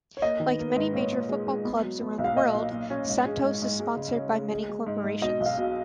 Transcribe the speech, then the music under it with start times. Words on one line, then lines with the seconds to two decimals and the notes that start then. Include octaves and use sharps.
Like many major football clubs around the world, Santos is sponsored by many corporations.
0.17 C#5
0.22 A#3 D#5
0.40 D#3
0.46 B4
0.59 A#3
0.70 B4
0.77 G#2
0.94 A#2 C#5
1.12 A#2
1.29 G#3
1.47 G#3
1.65 B3
1.83 F#3
2.01 B3
2.18 B1
2.24 F5
2.36 A#2 D#5
2.55 A#2
2.72 A#2
2.90 C#4
3.07 G#2
3.25 G#3
3.43 G#2
3.62 G#2
3.80 G#3
3.97 C#3
4.16 C#4
4.32 C#3
4.51 G#3
4.69 G#3
4.87 G#2
5.04 G#2
5.21 B2 D#5
5.40 B1
5.46 F5
5.58 B2